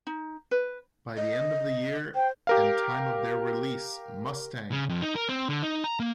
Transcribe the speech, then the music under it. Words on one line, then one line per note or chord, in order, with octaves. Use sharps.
By the end of the year and time of their release, Mustang!
D#4
B4
D#5
C5 G5
G4 A#4 F5
C#3
F2
D#4
A#4
C4
D3
D#4
A#5
A#3